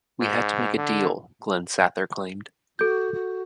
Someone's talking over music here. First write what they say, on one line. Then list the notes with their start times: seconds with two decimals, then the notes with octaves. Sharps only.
"We had to make a deal," Glen Sather claimed.
0.21 G#2
0.76 D3
2.79 F#4 A4 G6
3.12 F#4